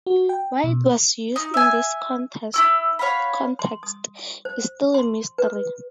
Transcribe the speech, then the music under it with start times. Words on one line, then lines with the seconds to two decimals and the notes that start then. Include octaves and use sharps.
Why it was used in this context is still a mystery.
0.06 F#4
0.29 G5
0.64 B2
1.36 D#4
1.54 E5 G#5
2.54 E4 F#4 E6
2.99 C#5 F5 F#5 B5
3.59 C6
3.83 D#6
4.45 C5
4.94 C6
5.38 B4